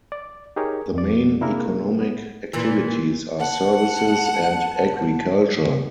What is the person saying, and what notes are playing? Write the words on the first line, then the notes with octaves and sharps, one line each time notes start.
The main economic activities are services, and agriculture.
D5
D#4 G4 G#4 A#4 C#5
F2 D5
C3 A#3 D4 E4 G#4 A#4
B3
A#2 E3
F#5 A5